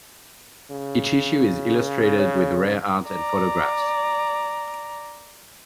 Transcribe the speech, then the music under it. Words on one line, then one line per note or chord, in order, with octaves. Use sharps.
Each issue is illustrated with rare art and photographs.
C#3
C#5
D5 A#5